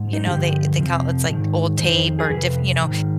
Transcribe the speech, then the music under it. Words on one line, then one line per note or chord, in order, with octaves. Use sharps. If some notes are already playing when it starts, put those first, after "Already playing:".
you know, they they call it's like old tape or diff you know,
Already playing: G#2
D#4
G2 D3 F3 G4
F2 C3 F3
G#2 D#3
F2 C3 D#3 C5
G#4
F2 C3 F3 B4
G#2 D#3